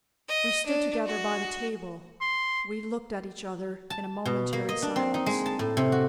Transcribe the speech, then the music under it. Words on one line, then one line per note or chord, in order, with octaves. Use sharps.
We stood together by the table; we looked at each other in a momentary silence.
D#5
D4
F#4
C6
A5
B2
A#3
D#5
D4
C4
D#4
G#3
A5
A2
C3
F#4